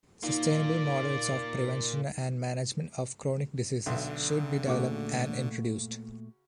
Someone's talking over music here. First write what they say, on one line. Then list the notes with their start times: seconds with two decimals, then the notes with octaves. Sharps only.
Sustainable models of prevention and management of chronic diseases should be developed and introduced.
0.23 A#2 A#3 D#4 D5
3.86 B1 D3 E5 C6
4.67 A#2 C#3 A3 F#4 D6